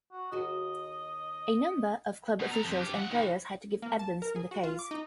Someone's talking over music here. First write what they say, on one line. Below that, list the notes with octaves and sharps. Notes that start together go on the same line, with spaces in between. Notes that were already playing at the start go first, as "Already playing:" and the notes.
A number of club officials and players had to give evidence in the case.
F#4
D#2 F#4 G#4 D#5
B2
A4 A#5
F2
D4 G4
F3 F#5
D#3 E3
A#3
A5
A#4
G#4
F#4
F4
D6
D#4